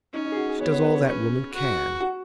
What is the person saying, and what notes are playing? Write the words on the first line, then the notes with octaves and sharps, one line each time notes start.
She does all that woman can.
C#4 D#4
D#4
G#4
F#4
G#4
B3 C#5
C#5
B4
C#5
C#4 B4
F#4
F#4